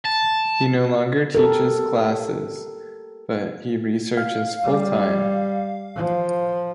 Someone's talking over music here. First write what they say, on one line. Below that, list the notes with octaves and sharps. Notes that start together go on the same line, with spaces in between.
He no longer teaches classes, but he researches full-time.
A5
G4 A4 A#4
F5
G3
F3